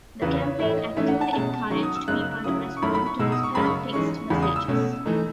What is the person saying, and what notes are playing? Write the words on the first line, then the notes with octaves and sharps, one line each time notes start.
The campaign actively encouraged people to respond to the spam text messages.
E2 C#3 E3 B4
C#5
A2 E3 A3 E4 C#5
D#5
G#2 E3 A3 C#4 E5
F#5
A5
B2 G#3 C#4 A5
D#3 F#3 C#4 C#6
D#6
E6
F#2 C#3 G#3 D#4 F#6
C#3 F#3 C#4 E4 D#6
C#6
F#2 D#3 A3 E4 B5
B5
C#6
B2 G#3 D#4 E6
D#6
C#6
F#2 C#3 G#3 B5
C#6
G#2 E3 G#3 C#4 C#6
E2 C#3 G#3 B5
D#6
E6
B2 A3 C#4
E3 A3 D#4